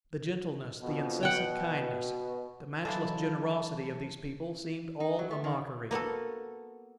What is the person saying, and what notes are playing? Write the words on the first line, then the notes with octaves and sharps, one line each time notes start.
The gentleness, the incessant kindness, the matchless generosity of these people seemed all a mockery.
F2 B2
B2 F#5 G5
E3 F#3 G#3 A#3 E4 A4 A5
D#4
F#3
A3
D#3
A#3 B3 F#4 A4